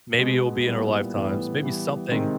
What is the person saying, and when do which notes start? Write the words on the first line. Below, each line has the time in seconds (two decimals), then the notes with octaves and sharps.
Maybe it will be in our lifetimes. Maybe something,
0.18 B2 G#3 B3
0.66 A#2 G3 B3 E4
1.14 A2 E3 G3 B3
1.63 E3 G3 B3
2.11 C3 D#3 G#3 C4